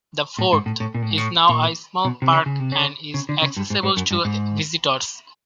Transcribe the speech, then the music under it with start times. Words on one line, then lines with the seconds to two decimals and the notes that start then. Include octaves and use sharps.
The fort is now a small park and is accessible to visitors.
0.39 A2
0.53 G#2
0.66 A2
0.80 A2
0.95 A#2
1.02 A2
1.10 G#2
1.18 A2
1.49 A#2
2.05 B2
2.22 C3
2.32 C#3
2.46 C#3
2.60 C3
2.72 C#3
3.14 C#3
3.29 D3
3.42 C#3
3.57 G2
3.70 G#2
3.83 G#2
3.97 F#2
4.11 G2
4.25 G#2